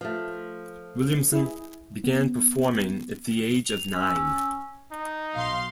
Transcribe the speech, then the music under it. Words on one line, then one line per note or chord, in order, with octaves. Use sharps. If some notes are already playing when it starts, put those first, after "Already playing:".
Williamson began performing at the age of nine.
F3 A3
E4 G#4
B3
F7
C#4 E6
D#4
B1 F5 C6